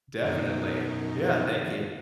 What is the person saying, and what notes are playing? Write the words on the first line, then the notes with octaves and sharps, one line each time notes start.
Definitely. Yeah, thank you.
F#2 B2 D#4